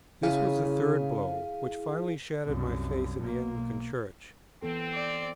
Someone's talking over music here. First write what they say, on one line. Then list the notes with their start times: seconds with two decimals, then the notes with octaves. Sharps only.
This was the third blow, which finally shattered my faith in the Anglican Church.
0.23 C#3 E4 G#4 F5
2.46 C2 F#2
3.20 B1 A#3
4.63 E3 B3 C4 A4
4.94 D5